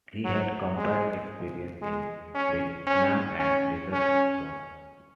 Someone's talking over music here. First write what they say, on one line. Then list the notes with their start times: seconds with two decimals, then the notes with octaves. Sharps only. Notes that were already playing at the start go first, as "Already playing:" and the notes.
He had combat experience in Vietnam and Desert Storm.
0.24 F#3
0.77 G#3
1.82 G#3
2.35 C#4
2.87 C#4
3.40 C#4
3.93 C#4